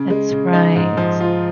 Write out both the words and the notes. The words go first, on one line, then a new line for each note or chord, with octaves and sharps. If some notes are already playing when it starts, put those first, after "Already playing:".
That's right.
Already playing: C#3
G#3
C#3
D#4
G#2
F3
F4